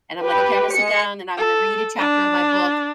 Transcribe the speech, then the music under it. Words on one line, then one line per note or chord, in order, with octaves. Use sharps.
and I'm like, "Okay, I'm gonna sit down, and I'm gonna read a chapter of my book,
G4 B4
G#3 C#7
A4
D4